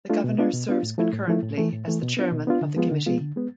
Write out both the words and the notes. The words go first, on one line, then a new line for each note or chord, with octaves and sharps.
The Governor serves concurrently as the Chairman of the Committee.
A3 D4 F4
B2
B3 D4 F4
B2
B3 D4 F4
A2
F3 A3 E4
A2
F3 A3 E4
A2
E3 A3
A2
E3 A3
B2
B3 D4 F4
B2
B3 D4 F4
D3
F3 G#3 B3 F4
D3
F3 G#3 B3 F4
D3
G#3 B3